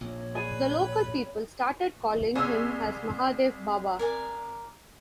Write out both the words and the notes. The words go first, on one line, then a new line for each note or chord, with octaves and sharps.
The local people started called him as 'Mahadev Baba'.
A#1 C#5
G#4 B4 D5 G#5
C2 G#4 G#5 E6
A#4 D5 G#5